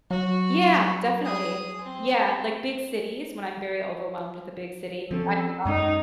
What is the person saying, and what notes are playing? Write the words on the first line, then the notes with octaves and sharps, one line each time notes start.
Yeah. Definitely. Yeah. Like, big cities when I'm very overwhelmed with a big city. I love
F#3 F#4
G#4 D#6
C4
F3 C4 C#4 A4
F#2 G#3 C#4 D#4